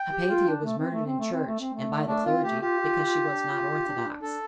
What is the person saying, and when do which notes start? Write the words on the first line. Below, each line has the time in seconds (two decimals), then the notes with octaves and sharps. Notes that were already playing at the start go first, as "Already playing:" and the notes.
Hypatia was murdered in church, and by the clergy, because she was not orthodox.
Already playing: G5
0.11 G4
0.29 F4
0.47 D4
0.64 A3
0.78 C4
0.92 A3
1.06 C4
1.19 A3
1.32 C4
1.47 A3
1.60 C4
1.74 A3
2.07 A3 D4
2.25 C4 F4
2.43 A3 G4
2.61 F4 G4
2.79 F4
3.04 F4
3.27 D4
3.51 F4
3.69 F4
3.87 D4
3.97 F4
4.05 D4
4.22 D4 A4